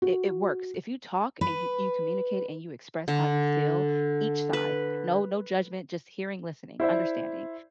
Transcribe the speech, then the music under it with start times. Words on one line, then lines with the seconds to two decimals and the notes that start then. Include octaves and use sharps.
it it works, if you talk and y you communicate and you express how you feel, each side, no no judgment, just hearing, listening, understanding,
0.02 F#4
1.41 B4
3.08 D3
4.53 B4
6.80 E4 C5 D5 E5